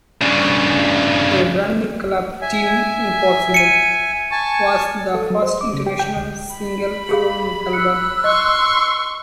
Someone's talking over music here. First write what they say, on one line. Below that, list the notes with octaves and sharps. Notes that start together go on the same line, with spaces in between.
A brand new club tune "Impossible" was the first international single from the album.
G2 C#3
E5 G#5
C#7 D#7
G#5 A5 C#6
A4
F#3
C5
D6
C#3
G4
G5
D2
B5
G4 G#4 F5
E6 F#6 C#7
D#5 C6 C#6